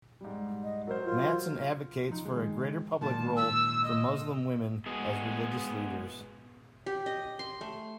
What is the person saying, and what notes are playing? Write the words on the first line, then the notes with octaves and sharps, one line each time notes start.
Mattson advocates for a greater public role for Muslim women as religious leaders.
G#2 G3
D#5
F#3 A#4 C5
F4
F3 D#4
D#3 G#3
G#1 A#2 A5
E6
D#5
G#3 B3 F#4 G#4
G4
D#5
C6
A3